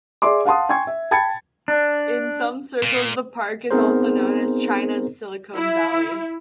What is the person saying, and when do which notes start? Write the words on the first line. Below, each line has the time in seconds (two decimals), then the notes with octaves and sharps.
In some circles the park is also known as China's Silicon Valley.
0.22 G#4 D5 E5 C6 D6
0.46 F5 F#5 A5 C6 D#6
0.69 G5 G#5 C6 C#6 G#6
0.87 E5
1.11 G5 A5 B5 G#6 A6 C#7
1.68 D4
2.83 A#2
3.71 B3 C4 D#4 G#4 A#4 C5
5.57 E4